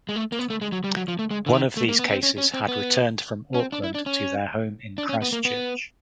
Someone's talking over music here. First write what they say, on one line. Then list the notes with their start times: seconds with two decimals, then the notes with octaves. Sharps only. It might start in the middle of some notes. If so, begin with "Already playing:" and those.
One of these cases had returned from Auckland to their home in Christchurch.
0.09 G#3
0.16 A3
0.32 A#3
0.39 B3
0.50 A3
0.61 G#3
0.72 F#3
0.84 G3
0.97 F#3
1.08 F3
1.19 A3
1.31 G#3
1.46 D3
1.53 D#3
1.77 A3
1.89 A#3
1.99 B3
2.10 C4
2.23 C#4
2.38 C#4
2.54 C4
2.68 B3
3.54 C#4
3.60 C4
3.72 D4
3.84 E4
3.95 D4
4.06 C#4
4.98 D4
5.09 C#4
5.22 B3
5.32 A#3
5.45 B3